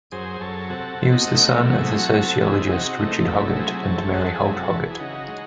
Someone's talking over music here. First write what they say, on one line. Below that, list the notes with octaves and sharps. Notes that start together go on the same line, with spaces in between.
He was the son of the sociologist Richard Hoggart and Mary Holt Hoggart.
F#2 G#4 C5
F#2 A4 C#5
C3 F#4 A4
C3
D#4 F#4
A3
F#3 E4
F#4
E4 G#4
C3
F#4 A4
C3
F#4 A4
C3 E4 G#4
C3 D#4 F#4
A3 D#4
F#3 E4
C3 E4 G#4
C3 A4 C#5
G#3 F#4 A4
E4 G#4
F#2
F#4 A4
E3
G#4
C#3 D#4 F#4
G#3